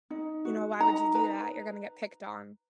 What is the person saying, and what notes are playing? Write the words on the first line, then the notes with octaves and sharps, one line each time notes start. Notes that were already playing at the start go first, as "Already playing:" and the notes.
"You know, why would you do that? You're gonna get picked on."
D#4
F#4
D#4 A#5
B4 A#5